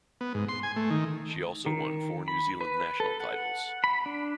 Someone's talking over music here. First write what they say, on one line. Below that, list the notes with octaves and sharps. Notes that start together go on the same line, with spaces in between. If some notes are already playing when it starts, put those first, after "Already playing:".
She also won four New Zealand national titles.
B3
G#2
C6
G#5
A3
D#3
D#3
B5
B4
A4
F#5
B5
D4